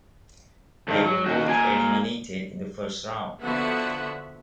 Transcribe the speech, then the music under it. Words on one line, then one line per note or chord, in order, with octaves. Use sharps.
They were both eliminated in the first round.
G2 D#3
F#3
D#2 F#4
A#3 G#5
D3 F3 B3 F#4 E5 F#5